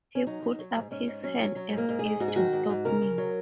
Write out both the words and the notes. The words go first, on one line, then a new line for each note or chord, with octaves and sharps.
He put up his hand as if to stop me.
C#4
F#3 D#4
F#3
F#3
G#2
G#2 C#4
G#2
F#3 C#4
F#3
F#3
G#2
A#3
G#2
G#4
G#2
G#2 F#4
G#4
D#3 F#4
G#2
G#2
C#3 A#4
C#3
F#3